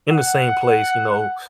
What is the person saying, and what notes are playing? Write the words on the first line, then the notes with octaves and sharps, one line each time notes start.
in the same place, you know
F#5